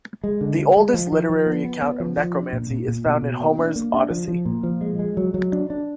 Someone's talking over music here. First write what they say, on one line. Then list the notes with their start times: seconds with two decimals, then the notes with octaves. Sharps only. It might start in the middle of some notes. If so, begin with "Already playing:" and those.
The oldest literary account of necromancy is found in Homer's "Odyssey".
0.24 G#3
0.41 D3
0.59 G#3
0.77 G#3
0.94 F3
1.12 F3
1.29 F3
1.46 B3
1.64 B3
1.82 B3
2.00 F3
2.17 F3
2.35 D4
2.53 A#2
2.70 A#2
2.88 A#2
3.06 B2
3.23 B2
3.40 A#3
3.58 D4
3.76 A#3
3.94 D4
4.10 F3
4.28 F3
4.46 A#2
4.63 F3
4.81 G#3
4.99 G#3
5.17 F#3
5.34 F#3
5.52 D4
5.70 D4